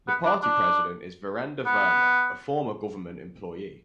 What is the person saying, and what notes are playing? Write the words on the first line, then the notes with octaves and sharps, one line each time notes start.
The party president is Virender Verma, a former government employee.
B3
D4
D4
B3